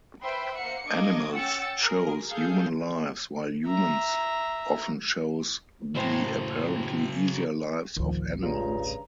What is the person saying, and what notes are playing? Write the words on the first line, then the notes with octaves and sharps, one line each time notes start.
Animals chose human lives while humans often chose the apparently easier lives of animals.
B4 C5 E5 G5 B5 C6
A#3 C5 F#5 C7 C#7
A#3 D4 D#5 D6 G#6
C#4 F#5 G5 E6 A6 C#7
G#4 A#4
G#4 A4 F5 G6
E5 A#5
D#2 A2 C#3 F#3 C5
A1 D2 D#3 F3
G2 C#3 F4 A#5